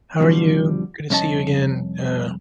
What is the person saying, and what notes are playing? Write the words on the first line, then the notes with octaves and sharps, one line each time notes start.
how are you, good to see you, again,'" uh
F2 B2 D3 F3 G3
C2 F2 C#4 D#5 A5